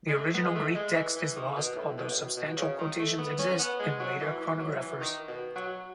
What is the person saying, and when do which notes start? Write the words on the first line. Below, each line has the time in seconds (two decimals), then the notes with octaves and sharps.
The original Greek text is lost, although substantial quotations exist in later chronographers.
0.08 G#3
0.15 A3
0.34 B3
0.46 G#3
0.55 A3
0.75 G#3
0.96 E3
1.16 E3
1.36 D#3
1.56 B2
1.76 A2
1.97 B2
2.11 A2
2.17 B2
2.37 B2
2.57 C#3
2.79 D#3
2.99 A3
3.18 B3
3.39 C#4
3.59 B3
3.79 G#3
4.00 F#3
4.20 E3
4.41 E3
4.60 F#3
4.81 E3
5.01 D#3
5.28 B2
5.56 F#3